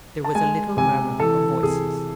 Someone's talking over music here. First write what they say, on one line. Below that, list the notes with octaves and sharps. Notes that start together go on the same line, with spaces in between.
There was a little murmur of voices.
A5
G#3 G#5
C3 G#5
E3 A4
C3 G#4